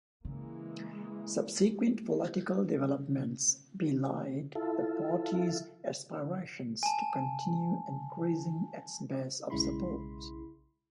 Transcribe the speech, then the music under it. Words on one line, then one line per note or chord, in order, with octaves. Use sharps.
Subsequent political developments belied the party's aspirations to continue increasing its base of support.
C#3 E3 G#3 A#3
E4 F4 A4
G#5 A5
B1 C#3 G#3 E4 B5 C6